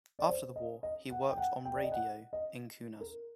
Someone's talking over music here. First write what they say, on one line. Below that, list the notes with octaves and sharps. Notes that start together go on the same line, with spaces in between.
After the war, he worked on radio in Kaunas.
D5
C5
D#5
D#5
F#5
G5
F#5
G5
D5
D#5
F#5
D#5
A#4